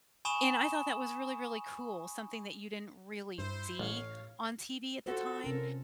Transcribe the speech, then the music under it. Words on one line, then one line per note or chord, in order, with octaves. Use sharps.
and I thought that was really, really cool, something that you didn't really see on TV at the time,
G#5 B5 C#6 D#6 E7 G7
G2 E4 C5
A1 A2 C#5 F5
F4 F#4 A4 C5
C3 C#4 A#4